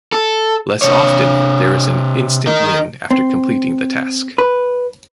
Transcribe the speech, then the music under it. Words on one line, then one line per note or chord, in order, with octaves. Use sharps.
Less often there is an instant win after completing the task.
A4
C3 C#5
D#4 A#4
C4
B4